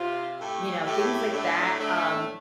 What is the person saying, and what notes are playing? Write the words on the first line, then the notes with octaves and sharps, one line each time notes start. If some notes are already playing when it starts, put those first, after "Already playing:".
you know, things like that, um,
Already playing: C3 F4
A2 A3 G4
A2 A3 G4
A2 A3 D4
A2 A3 D4